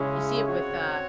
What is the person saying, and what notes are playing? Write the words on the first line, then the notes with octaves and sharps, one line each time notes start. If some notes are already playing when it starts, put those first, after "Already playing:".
You see it with uh,
Already playing: C#3 G#3 C#4 E4
C4 F#4 C#5